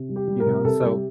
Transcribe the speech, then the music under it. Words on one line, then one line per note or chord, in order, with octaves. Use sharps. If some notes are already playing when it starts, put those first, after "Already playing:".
You know? So
Already playing: C3
G3
G4
G3
A#4
C3
C3 A4
G3 G4